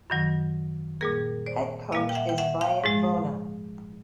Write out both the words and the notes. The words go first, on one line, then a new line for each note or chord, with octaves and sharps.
Head coach is Brian Vona.
F#2 D#3 F#3
A#2 G3 A#3 G#4 A#4
C5 D5
A#2 G3 A#3 D#5 F5
G5
E5 F#5
G5
E5 F#5
F5 G5
G#2 F3 G#3